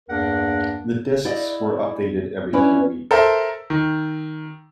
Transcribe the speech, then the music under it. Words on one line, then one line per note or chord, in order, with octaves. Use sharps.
The discs were updated every few weeks.
E2 G2 A#3 D4 A#4 F#5
E4 D5 D#5 F5
C#4 D4 E4 B4
A4 A#4 C5 E5
D#3